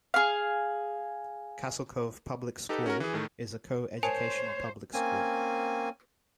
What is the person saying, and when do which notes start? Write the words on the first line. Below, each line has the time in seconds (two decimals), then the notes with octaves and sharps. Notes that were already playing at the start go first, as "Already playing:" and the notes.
Castle Cove Public School is a co-educational public school.
0.14 G#4 F5
2.69 D#4 G4 A4 B4
2.86 C#4 F#4 A#4
3.00 E3 G#4
3.13 A2 D#3 A3
4.03 A#4 C5 C#5 G#5 A5
4.94 A#3 C4 C#4 G#5